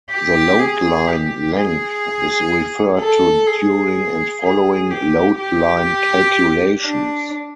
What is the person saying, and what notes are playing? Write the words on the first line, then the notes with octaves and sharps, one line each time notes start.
The load line length is referred to during and following load line calculations.
G4
G#4
G4
G#4
A4
G#4
G#4
G4
G4
D4